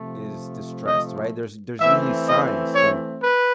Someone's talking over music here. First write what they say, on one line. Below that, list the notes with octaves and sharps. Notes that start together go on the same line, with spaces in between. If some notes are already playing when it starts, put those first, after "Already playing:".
is distressed, right? There's there's usually signs when
Already playing: C3 F3 A3
D#5
E3 A3 C4 E5
D#5
C#5
B4